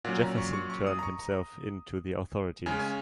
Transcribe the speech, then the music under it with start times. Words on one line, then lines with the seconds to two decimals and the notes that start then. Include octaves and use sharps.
Jefferson turned himself in to the authorities.
0.04 A#2 F#5
0.07 F#3 C#4
0.22 A#5
0.38 C#6
0.53 C#6
0.70 C#6
0.87 D#6
0.99 A#5
1.03 C#6
1.19 A#5
2.66 C#3 G#3 C#4 G#5
2.79 G#5